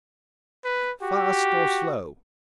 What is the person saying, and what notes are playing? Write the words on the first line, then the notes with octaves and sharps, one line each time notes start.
"Fast or slow?"
B4
F#4 G4